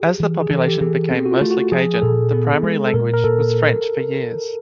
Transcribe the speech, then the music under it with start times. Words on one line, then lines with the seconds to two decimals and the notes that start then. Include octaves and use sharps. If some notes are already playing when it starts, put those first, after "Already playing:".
As the population became mostly Cajun, the primary language was French for years.
Already playing: G4 G#4
0.20 E3
0.41 G#4
0.50 E3 A4
0.68 G4
0.80 E3 G#4
1.11 C4
1.26 F#4
1.32 F4
1.41 A3
1.51 F#4
1.72 F3 G#4
1.94 G#4
2.02 A#2 A4
2.33 B3
2.63 G#3
2.86 A4
2.93 A#2 A#4
3.13 A#4
3.24 A#2 A4